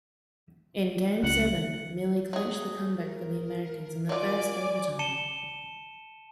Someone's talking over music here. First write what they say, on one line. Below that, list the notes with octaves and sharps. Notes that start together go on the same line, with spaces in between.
In game seven, Milley clinched the comeback for the Americans in the first overtime.
C#2 F#5
F#3 G#4
A#4
F#3 F4 D5 G#5 D6
A5 C#7 D#7 E7 G7